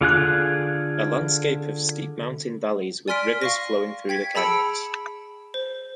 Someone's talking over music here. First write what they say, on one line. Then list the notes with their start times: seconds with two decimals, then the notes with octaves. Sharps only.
A Landscape of steep mountain valleys with rivers flowing through the canyons.
0.01 D3 F4 G#4 F#6
3.08 D5 G#5 C6 F6 B6 D7
3.42 F5 C#6 A#6
4.09 G5 G#6 B6
4.35 G#4 A5 B5 E6 C#7 D7
5.54 C5